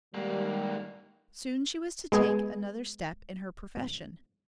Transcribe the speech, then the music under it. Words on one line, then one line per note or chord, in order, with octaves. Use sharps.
Soon she was to take another step in her profession.
G#2 D#3 G3 A#3
G#3 B3 G#4 G#5